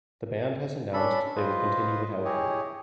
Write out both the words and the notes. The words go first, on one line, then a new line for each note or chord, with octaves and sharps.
The band has announced they will continue without him.
C#4 D4 A4 B5
F4 B4 C5 D#5
E4 G4 G#4 C#5 D#5